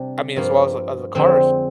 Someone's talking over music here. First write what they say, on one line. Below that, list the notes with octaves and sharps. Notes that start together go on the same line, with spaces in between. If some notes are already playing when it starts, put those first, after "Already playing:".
I mean, as well as the as the cars
Already playing: C3 G3 D4
G2 F3 A#3
F2 D3 G#3 C4